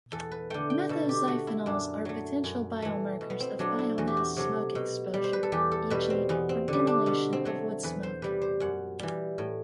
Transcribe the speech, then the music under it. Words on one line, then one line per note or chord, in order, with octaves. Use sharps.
Methoxyphenols are potential biomarkers of biomass smoke exposure; e.g., from inhalation of woodsmoke.
E2 A4
B4
D3 A3 G5
G5
B2 A4
G4
A3 F#4
E4
F#2 D4
F#3 A3
F#2
E3 A3
B2
B3
C4
F#3 A3 D4
E4
E2 F#4
G4
F#4
C3 F#3 A3
B2
G3
C5
B4
A4
E2 G4
A4
B2 G3 B4
C4
E2 B3
C4
D3 G3
D4
B2 B3
C4
F#3 A3
E2 B4
C5
C3 G3 B4
C5
F#2 F#5
E3 G3
A2